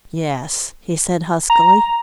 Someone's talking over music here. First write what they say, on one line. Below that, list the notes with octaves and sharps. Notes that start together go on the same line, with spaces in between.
"Yes," he said huskily.
A#5